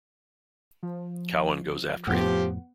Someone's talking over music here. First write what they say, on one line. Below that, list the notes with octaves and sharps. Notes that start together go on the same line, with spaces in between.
Cowan goes after him.
F3
F2 A2 F3 B3 G4 F#5